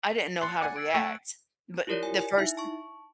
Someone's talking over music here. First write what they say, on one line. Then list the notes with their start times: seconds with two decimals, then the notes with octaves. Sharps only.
I didn't know how to react, but the first
0.41 C6 F#6 A6 C#7
0.61 D5 F#5 G#5
0.76 E6 G#6 D7
0.94 A3
1.87 E4 F4 G4 A#4 C#5 D5
2.03 G#5
2.19 G#5
2.37 D#4 E4 E5
2.57 A5 C#6